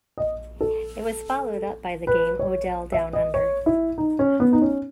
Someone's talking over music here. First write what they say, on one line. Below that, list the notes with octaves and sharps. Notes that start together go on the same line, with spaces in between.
It was followed up by the game "Odell Down Under".
D#5
A4
B4
C#5
E5
D#5
C#5
E4
D#4
C#4
B3
D#4
C#4